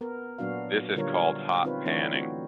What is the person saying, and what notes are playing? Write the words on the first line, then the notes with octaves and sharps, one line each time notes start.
This is called "hot panning".
B3 A#4
A#2 F#3 B3 D4 F#4 F5
D3 G3 F4 A#4 C#5
C4 D#4 F4 B4 C#5
E3 A3 C4 D4 C#5
C4 F#4